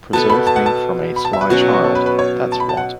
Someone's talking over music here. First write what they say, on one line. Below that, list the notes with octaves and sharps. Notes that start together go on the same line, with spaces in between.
Preserve me from a sly child, that’s what.
B2 B3 A4 A5
B5
A5
F#5
A5
B5
A5
E5
B4
B2 F#3 C#4 F#4
F#4
F#4
A4
B4
B4
C#5
A5
B5
A5
F#5